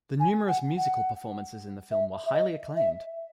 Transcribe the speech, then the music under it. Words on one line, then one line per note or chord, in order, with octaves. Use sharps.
The numerous musical performances in the film were highly acclaimed.
G#5
F#5
F#5
E5
E5
D#5
E5